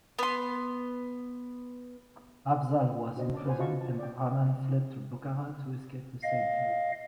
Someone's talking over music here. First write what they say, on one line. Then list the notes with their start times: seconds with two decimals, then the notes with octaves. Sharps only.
Afzal was imprisoned and Rahman fled to Bukhara to escape the same fate.
0.19 B3 C6
3.16 D4 F#4 C5 D#5
3.33 C#4 A5 D6
3.46 B4 C5 F#5 G#5
3.59 F4 F#4 D#5 F5 A5 C#6
3.81 F4 A5
3.99 D5 G5
6.23 D#5 F5